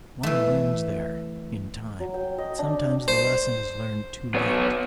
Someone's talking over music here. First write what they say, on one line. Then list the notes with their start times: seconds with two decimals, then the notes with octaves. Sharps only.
One learns there--in time--but sometimes the lesson is learned too late.
0.23 E3 A3
2.00 F#3
2.14 G5
2.38 D#5
2.59 D4
3.08 C5
4.35 B3 C#5